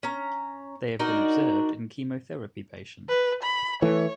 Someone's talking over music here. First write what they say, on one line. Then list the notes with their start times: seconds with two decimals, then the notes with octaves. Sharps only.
They have been observed in chemotherapy patients.
0.03 C#4 A#5
0.99 D4 D#4 F#4 A#4
3.09 B4
3.43 B5
3.82 E3 A3 C#5